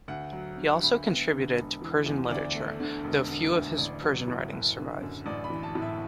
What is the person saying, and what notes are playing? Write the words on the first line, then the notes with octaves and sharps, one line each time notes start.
He also contributed to Persian literature, though few of his Persian writings survive.
D2 F#5
F#3
D3
D2 B5
B3
D3
E1
E3
E2
D2 D5
A3
D3
E1
D3
D2
A1 D5
F#3
A2
F#1
D3
F#2
A1 D5
B5
E3
A5
A2
E5